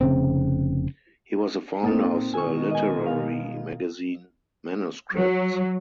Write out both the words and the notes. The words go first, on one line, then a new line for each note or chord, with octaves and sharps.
He was the founder of the literary magazine "manuscripts".
F1 C#3 C4
A#2 A#3 C4 D#4 A4
B2 D#3 G#3 G#5 C#6
D#5 G#5
F5
F#3